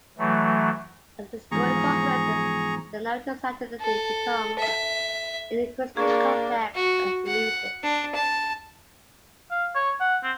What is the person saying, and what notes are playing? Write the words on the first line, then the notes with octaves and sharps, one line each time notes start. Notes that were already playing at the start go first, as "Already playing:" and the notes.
As the story progresses, the narrator's identity becomes increasingly complex and elusive.
E3 F#3 A3
E2 G#2 F3 G#4 A#5 C#6
A4
E5
A#3 D4 G#4 C#6
F#4
F#5
D4
A5
F5
C#5
F#5
C4